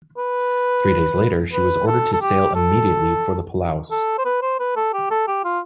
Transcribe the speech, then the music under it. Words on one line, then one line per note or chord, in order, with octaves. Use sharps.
Three days later, she was ordered to sail immediately for the Palaus.
B4
B4
A4
A4
G4
A4
A4
C5
B4
C5
B4
A4
G4
A4
G4
F4